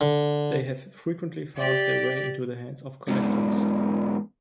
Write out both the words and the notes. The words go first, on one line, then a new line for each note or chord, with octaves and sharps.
They have frequently found their way into the hands of collectors.
D3
G4 D5
E2 G#2